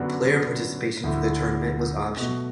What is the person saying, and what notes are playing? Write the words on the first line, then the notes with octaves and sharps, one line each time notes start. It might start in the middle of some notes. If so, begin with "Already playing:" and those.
Player participation for the tournament was optional.
Already playing: F#2 D3 B3 D4 F#4
D2 D3 A3 E4
B2 A3 F#4